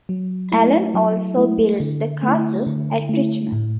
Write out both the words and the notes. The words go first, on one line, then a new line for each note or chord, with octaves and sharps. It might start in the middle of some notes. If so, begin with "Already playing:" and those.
Alan also built the castle at Richmond.
F#3
A3 E4
F#3
A3 E4
D3
A3
E4
D3
A3 E4
A2